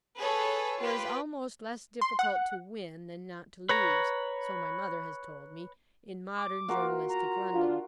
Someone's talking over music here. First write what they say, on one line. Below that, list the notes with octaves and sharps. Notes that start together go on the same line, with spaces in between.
For it is almost less difficult to win than not to lose, so my mother has told me, in modern journalistic London.
G#4 A4 B4 C#5
F4 G4 B4
C6
F#5
B4 C#5 A#5
D6
F4 F#4 A#4
A#5
D4 F4